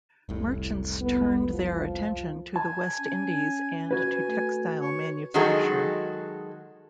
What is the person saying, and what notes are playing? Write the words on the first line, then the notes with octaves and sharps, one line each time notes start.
Merchants turned their attention to the West Indies and to textile manufacture.
F1 C2 A2
B3
F3
G#5 A5
C#4
F#4 B4 G#5
A3
C#5
D#3 F#3 G#3 F#4 G#4 A4